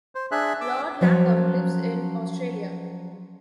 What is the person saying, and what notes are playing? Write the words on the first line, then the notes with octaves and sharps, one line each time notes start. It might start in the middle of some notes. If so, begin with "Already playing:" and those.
Lord Latham lives in Australia.
C5
D4 G#4 E5 F#6
D6 E6
F3 F#3 C#4